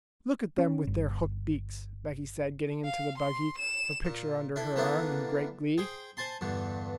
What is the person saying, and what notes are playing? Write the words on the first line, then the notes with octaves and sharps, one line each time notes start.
"Look at them with their hooked beaks," Becky said, getting into the buggy, her picture under her arm, in great glee.
C#4
G1
F5
C6
E7
A#2
D4 E4 A4
D3 E3 A#3 B3 D4 E4
G#4 C5 G5
C5 G#5 A5 C6
E2 G2 D3